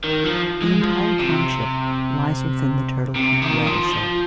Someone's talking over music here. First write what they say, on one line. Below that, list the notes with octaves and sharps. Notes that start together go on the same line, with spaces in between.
The entire township lies within the Turtle Creek Watershed.
D#3
F3
G#3
F3
C3
C3
D#3
F3
F3